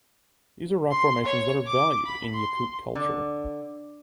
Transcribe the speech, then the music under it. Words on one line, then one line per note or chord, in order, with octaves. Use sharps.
These are rock formations that are valued in Yakut culture.
C6
C#5
D6
B5
C6
D3